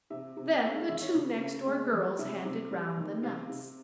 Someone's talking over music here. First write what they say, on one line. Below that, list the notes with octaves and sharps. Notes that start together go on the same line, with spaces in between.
Then the two next-door girls handed round the nuts.
C3 E5
C3
G#3 E5
F5
D#3 E5
C#5
C#3
C#3
G#3
F3
C3 E5
C3
G3
D#3
C3 F5
C3